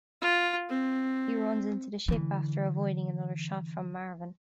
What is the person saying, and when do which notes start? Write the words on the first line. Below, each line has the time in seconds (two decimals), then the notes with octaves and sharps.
He runs into the ship after avoiding another shot from Marvin.
0.22 F4
0.69 C4
2.08 D3 E3